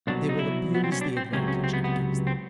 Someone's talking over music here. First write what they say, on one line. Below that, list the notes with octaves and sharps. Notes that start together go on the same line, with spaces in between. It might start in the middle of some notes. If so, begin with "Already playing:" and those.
They will abuse the advantage it gives them.
C2 B2 F#3 D4
D#4
E4
B3
C4
C#4
D4
C4
C#2 C3 D#3 F#3 C#4
C#4
C4
B3
B3
C4